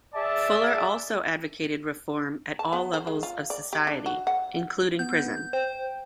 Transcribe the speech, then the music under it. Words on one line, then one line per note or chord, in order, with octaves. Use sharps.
Fuller also advocated reform at all levels of society, including prison.
G#4 D5 E5 A5
A5
B3
C5
G#3
F4
D5
G4
D4
F#4
F#5
B3 G6
C5 G5